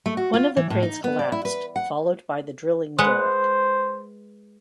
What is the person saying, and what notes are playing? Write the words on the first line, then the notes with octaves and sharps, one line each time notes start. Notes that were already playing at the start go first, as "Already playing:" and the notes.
One of the cranes collapsed, followed by the drilling derrick.
A3
F#4
F4
E3
A2
D#4
B3
D5
E4
B4
F#5
G#3 B4 C5 F#5